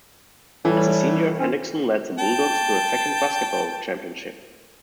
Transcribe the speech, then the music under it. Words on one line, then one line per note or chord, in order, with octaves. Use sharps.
As a senior, Hendrickson led the Bulldogs to a second basketball championship.
A2 E3 G3
C4 C#4
G5 A5